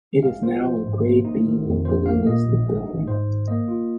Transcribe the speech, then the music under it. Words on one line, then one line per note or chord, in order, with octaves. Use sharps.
It is now a Grade B locally listed building.
G#3 F5
F4 C5
F3 C5
G#2
A#3
D#4
D#3
F2
F3 C5
A#3 F5
A#2 D#5
A#1
G#3
D#4
G#2 C5
G#1
A#3 D#5
F4